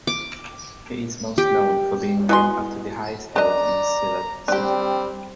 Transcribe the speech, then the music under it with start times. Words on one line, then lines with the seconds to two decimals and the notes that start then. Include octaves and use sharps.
He is most known for being named after the highest hill in Sylhet city.
0.07 D6
1.38 G4
2.29 B2 E4 F#4 G#4 C6
3.36 D4 D5 D#5 A#5
4.48 G3 C4 D4 G4